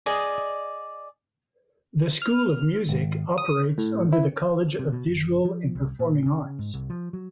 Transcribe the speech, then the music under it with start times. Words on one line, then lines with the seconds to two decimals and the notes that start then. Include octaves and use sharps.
The School of Music operates under the College of Visual and Performing Arts.
0.06 G#4 D5 D#5
2.22 F6
2.89 G#1
3.38 D#6
3.78 A2
4.12 E4
4.79 C3
4.92 B2
5.08 F#1
5.45 F3
5.75 C2
5.99 A#2
6.26 C#3
6.59 G#2
6.74 C2
6.90 F3
7.13 F#3